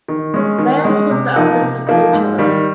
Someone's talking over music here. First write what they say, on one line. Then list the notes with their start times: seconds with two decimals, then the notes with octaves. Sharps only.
Lance was the eldest of three children.
0.08 D#3
0.34 G#3 C#4
0.58 D#3
0.85 G#3 C#4
1.10 C3
1.36 F3 A#3 D#4
1.61 C3
1.87 F3 A#3 D#4
2.13 G#2
2.38 D#3 G3